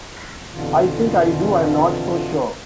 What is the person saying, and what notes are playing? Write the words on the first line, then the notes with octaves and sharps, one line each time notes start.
I think I do, I'm not so sure.
F2 B2 D3 E3 F4